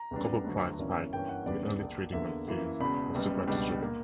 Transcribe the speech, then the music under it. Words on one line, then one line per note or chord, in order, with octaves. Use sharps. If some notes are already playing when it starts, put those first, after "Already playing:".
Copper prices spiked in early trading, on fears of supply disruption.
Already playing: A#5
E2 C#3 G3 B3 D4
D2 D3 F#3 B3 D4
G1 F#2 E3 A#3 C#4
G2 E3 A#3 C#4 G5
F#5
E2 C#3 G3 B3 D4 D5
A#1 A#2 A#3
E2 D3 A#3 E5
F#2 E3 A#3
E1 E2 C#3 B5
F#1 F#2 C#3 G3 B3
C#2 B2 G3 B3 D4
A#2 A#3